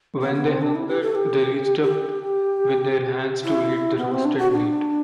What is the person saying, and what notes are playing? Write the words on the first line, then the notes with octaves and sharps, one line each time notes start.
When they hungered, they reached up with their hands to eat the roasted meat.
B3
B3
C4
D4
E4
G4
A4
G4
G4
E4
B3
C4
D4
F#4
D4